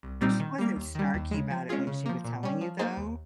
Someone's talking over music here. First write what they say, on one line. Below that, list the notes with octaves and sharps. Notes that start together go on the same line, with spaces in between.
She wasn't snarky about it when she was telling you, though?
C2
A#2 G3 C4 D#4
D#3
G3 A#3
D#2
D#3 G3
D#2
C#3 G#3
F3
G#3 C#4 F4 G#4
C#3
F3 A#3
A#2
G3 C#4
F3
A#3 D#4 G#4 C5
D#2